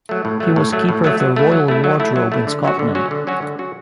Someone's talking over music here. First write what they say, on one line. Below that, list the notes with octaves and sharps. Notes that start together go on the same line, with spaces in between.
He was keeper of the royal wardrobe in Scotland.
F#3 A3
A2
F#3 A3
A2
F#3 A3
A2
F#3 A3
F#3
A3 E4
F#3
A3 E4
F#3
A3 E4
F#3
A3 E4
D3
F#3 C#4 F#4
D3
F#3 C#4 F#4
D3
F#3 C#4 F#4
D3
F#3 C#4 F#4